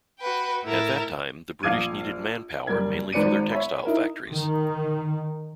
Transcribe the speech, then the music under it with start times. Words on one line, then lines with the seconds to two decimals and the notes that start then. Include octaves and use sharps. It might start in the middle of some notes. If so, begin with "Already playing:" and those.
At that time, the British needed man-power mainly for their textile factories.
0.19 F#4 B4 G5
0.64 A2 E4 A#4 A5 A#5
1.63 A#1 F5 D6 D#6 G#6 D#7
2.67 F#1 G3 A#4 G#6
3.12 G#1 G#2 B4 D5 C#7 D#7
3.51 C#5 E5 B5
3.85 D#4 E4 A#4
4.28 D#3